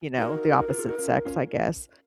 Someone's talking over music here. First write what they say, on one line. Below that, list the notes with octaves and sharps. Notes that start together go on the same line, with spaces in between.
you know, the opposite sex, I guess.
D#4 F#4 A#4
D#4 F#4
F4 G#4
F4 G#4
D#4 F#4
C#4 F4
C#4 F4